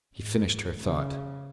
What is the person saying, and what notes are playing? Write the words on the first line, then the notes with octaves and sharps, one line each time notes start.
He finished her thought.
G#2
C#3